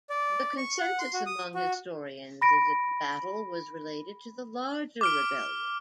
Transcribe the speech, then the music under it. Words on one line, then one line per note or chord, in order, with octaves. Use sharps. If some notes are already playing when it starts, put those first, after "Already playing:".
The consensus among historians is that the battle was related to the larger rebellion.
D5
C#6
F#5
C6
F#4
D#6
F#4
B5 A#6 D7
D6 F6 D7